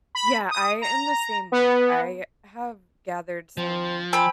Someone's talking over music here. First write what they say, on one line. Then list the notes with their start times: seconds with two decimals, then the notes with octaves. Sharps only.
Yeah. I am the same way. I have gathered some
0.15 B5
0.51 D#6
0.82 A#5
1.52 B3
3.57 F3 C4
4.13 C4 G#5 B5